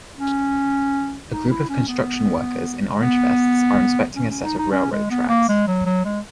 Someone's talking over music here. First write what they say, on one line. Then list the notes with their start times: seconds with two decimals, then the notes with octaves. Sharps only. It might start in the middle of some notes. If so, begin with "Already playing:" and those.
A group of construction workers in orange vests are inspecting a set of railroad tracks.
0.17 C#4
1.31 D#4
1.50 E4
1.69 C#4
1.88 B3
3.02 B3
4.16 C#4
4.30 C#4
4.44 D#4
4.59 D#4
4.72 C#4
4.92 G#3
5.11 B3
5.29 A#3
5.49 G#3
5.68 F#3
5.86 F#3
6.05 G#3